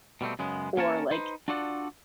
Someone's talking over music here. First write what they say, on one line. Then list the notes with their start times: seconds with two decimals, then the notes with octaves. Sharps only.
or like
0.21 B2 G3 A3 C4
0.39 F#2 C#3 G#3 B3
0.77 A#3 C#4 A#4 C#5 A5
1.11 D#4 B4 C5
1.48 D4 F4 F#4 A4 D5 F#5